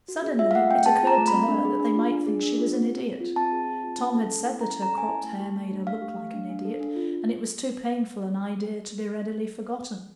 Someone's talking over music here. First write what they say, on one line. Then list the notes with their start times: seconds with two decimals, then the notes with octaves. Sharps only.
Suddenly it occurred to her that they might think she was an idiot; Tom had said that her cropped hair made her look like an idiot, and it was too painful an idea to be readily forgotten.
0.08 F#4
0.24 G#4
0.39 F4 E5
0.51 F5
0.55 A3 F#5
0.70 C4 G5
0.86 G#4 A5
1.02 F4 A#5
1.18 A3
1.28 B5
1.33 C4
1.48 D4
1.65 G#4
1.80 D4
1.96 F4
2.12 D4
2.27 G#4
2.43 D4
2.58 F4
2.73 C4
2.89 G#4
3.05 C4
3.20 F4
3.36 C4 A5
3.52 G#4
3.67 C4
3.83 F4
3.98 C#4
4.14 A4
4.31 C#4
4.45 E4
4.61 C#4 A#5
4.78 A4 A#5
4.92 C#4
4.98 G#5
5.03 A5
5.08 E4
5.23 A3
5.40 G4
5.55 A3
5.71 D4
5.86 A3 F5
6.02 G4
6.17 A3
6.34 D4
6.49 D4
6.65 A4
6.80 D4
6.96 F4